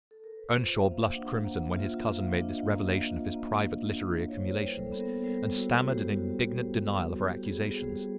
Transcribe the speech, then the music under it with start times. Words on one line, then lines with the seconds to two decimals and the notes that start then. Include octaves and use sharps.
Earnshaw blushed crimson when his cousin made this revelation of his private literary accumulations, and stammered an indignant denial of her accusations.
0.11 A4
0.24 A#4
0.37 B4
0.50 F4 C5
0.81 A#3 E5
0.91 F5
1.02 E5
1.13 D4 F#5
1.44 A#3 F#5
1.76 F4 E5
2.00 E5
2.07 A#3 F5
2.39 D4 D#5
2.71 A#3
3.02 F4
3.34 A#3
3.66 D4
3.97 A#3
4.29 E4 C#5
4.36 C5
4.43 C#5
4.52 B4
4.60 G3
4.66 A#4
4.77 A4
4.92 B3
5.00 A#4
5.24 G3 A#4
5.56 E4 F#4
5.76 G4
5.87 G3 F#4
6.18 B3 F#4
6.50 G3 G4
6.82 E4 F#4
6.99 F#4
7.13 G3 G4
7.45 B3 G#4
7.77 G3 G4